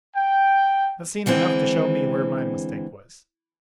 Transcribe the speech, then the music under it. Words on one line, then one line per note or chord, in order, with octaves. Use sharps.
I've seen enough to show me where my mistake was.
G5
D3 E3 G#3 C4 G5